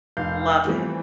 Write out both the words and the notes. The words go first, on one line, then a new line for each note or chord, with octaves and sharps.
Love it.
F1 F5 G6
E3 F3 G3 A3 C4